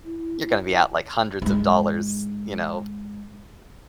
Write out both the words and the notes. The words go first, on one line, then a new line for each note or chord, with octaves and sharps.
you're gonna be out, like, hundreds of dollars, you know,
E4
G#2 G#3